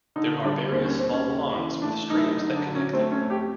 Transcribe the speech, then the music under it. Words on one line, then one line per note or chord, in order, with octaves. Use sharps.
There are various small ponds with streams that connect them.
D3 D#4
G3 D4
D#2 C4
C#4
D#2 C4
C#4
C#3
E3
A3 D4
F#2 D#4
E4
D#4
D3 D#4
D4
F#3
C#4
A3 C4
C#4
F2
G4